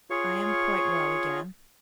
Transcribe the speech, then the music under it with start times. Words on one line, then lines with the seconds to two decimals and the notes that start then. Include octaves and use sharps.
I am quite well again.'
0.10 F4 G#4 C#5 F5 C#6